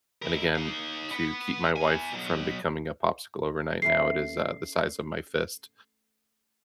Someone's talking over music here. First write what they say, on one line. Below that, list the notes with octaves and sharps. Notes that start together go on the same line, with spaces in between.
And again, to keep my wife from becoming a popsicle overnight, now, it is, uh, the size of my fist,
E4 A#4
D#4 F5
F#5 B5
E2 G#5
B2 F#3
A3 C#4 B4 C7